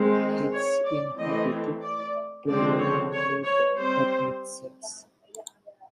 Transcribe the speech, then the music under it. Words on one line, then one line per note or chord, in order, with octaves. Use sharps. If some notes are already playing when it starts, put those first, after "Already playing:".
It is inhabited predominantly by ethnic Serbs.
Already playing: D#3 G#3 C4
C#5
D5
E3 A3 C4 D#5
D5
D3 F3 G#3 C4 D5
C#5
C#5
C#5
G3 C4 C5